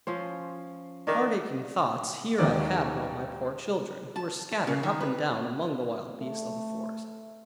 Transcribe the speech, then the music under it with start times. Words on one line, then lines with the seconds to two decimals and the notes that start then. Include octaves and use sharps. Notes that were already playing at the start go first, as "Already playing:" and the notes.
Heart-aching thoughts here I had about my poor children, who were scattered up and down among the wild beasts of the forest.
0.07 F3 C#4 C5
1.07 D#3 D4
2.38 D#1 G#1 D#2 A#3 D#4 D5
4.16 A5
4.51 A5
4.67 C#3
4.83 D#3
5.01 B4
6.19 A3